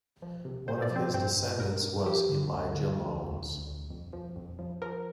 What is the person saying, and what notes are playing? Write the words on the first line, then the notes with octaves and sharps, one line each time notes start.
One of his descendants was Elijah Loans.
F3
C3
C3 C5
D5
F3 C4 C5
G2 C4 C5
G2
G2 A#4
G2
F3 G4
D3
D2
D3
D2
D2
D2
D2
F2
F3
F2
F3
F3 A#4